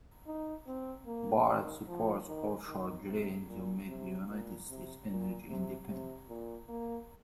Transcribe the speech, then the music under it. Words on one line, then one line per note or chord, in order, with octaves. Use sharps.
Barrett supports offshore drilling to make the United States energy independent.
D#4
C4
A#3
D#3
F3
D#3
D#3
C3
A#2
C3
A#2
C3
A#2
C3
C3
A#2
A#3